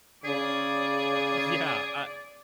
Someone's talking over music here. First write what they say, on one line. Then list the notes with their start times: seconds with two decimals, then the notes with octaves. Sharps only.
Yeah, I
0.25 C#3 G#4 D5